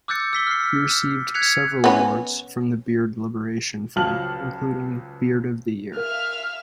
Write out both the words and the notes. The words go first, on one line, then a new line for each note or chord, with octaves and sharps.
He received several awards from the Beard Liberation Front, including "Beard of the Year".
D6 E6 F#6 G6 A6 C#7
E6 B6 G7
F6 C7
F6 B6
C7
F#6 G#6 B6 C#7 F7
B3 C#4
C#2 F3 F#3 A5 F6 F#7
A#4 E5 F5 F6